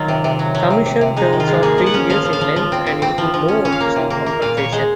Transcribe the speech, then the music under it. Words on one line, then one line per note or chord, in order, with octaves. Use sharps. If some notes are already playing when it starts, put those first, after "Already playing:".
Commission terms are three years in length and include no official compensation.
Already playing: D#3 F#3 D#4 F4
C3
C3
F#3
F#3
C3
C3
C3
G#3 D#4
D#3
F4
G#3
A#3 G#4
F3
F#5
C#4
F3 F5
F3
F5
F3
F3
C4
C4
C4
F3
F3
C#4
C#4
F5
A#3
C3
A#3
A#3
A#2 F5
A#2 C#5
G#3 C5